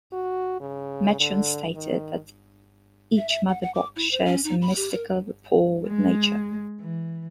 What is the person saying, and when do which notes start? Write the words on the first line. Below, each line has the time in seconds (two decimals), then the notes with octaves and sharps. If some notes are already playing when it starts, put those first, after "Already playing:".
Metron stated that each Mother Box shares "a mystical rapport with nature".
0.12 F#4
0.60 C#3
1.20 D3
1.75 D#3
3.17 E5
3.29 E5
3.48 F#5
3.62 F#5
3.74 D6
3.96 E4
4.11 C5
4.26 C#4
4.44 D#4
4.62 B5
4.76 G4
4.93 A#4
5.87 G#3
6.80 E3